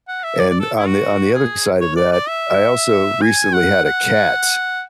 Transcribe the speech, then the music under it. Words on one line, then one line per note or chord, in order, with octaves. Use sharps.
and on the on the other side of that, I also recently had a cat,
F#5
E5
D5
D5
A4
E4
F#4
G#4
C#5
D5
D5
E5
G#5
F#5
F#5